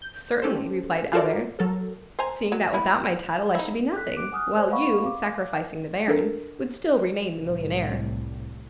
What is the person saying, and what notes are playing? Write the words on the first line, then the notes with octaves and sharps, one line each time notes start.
"Certainly," replied Albert, "seeing that without my title I should be nothing; while you, sacrificing the baron, would still remain the millionaire."
G6
C#4 G4 A4 C5
F4 F#4 A4 A#4 C#5 D5
F#3 A4 A#4
C5 G#5 A#5
F#3
B3 E4 A#4
D#4 E4
A4 F#6 B6
D6 F#6 D7
F#5 G#5 D#6 F6 F#6
C5 D5
B4 D#5 F5 F#5 B5 C#6
F5 D6
D4 A4 A#4
C2 A2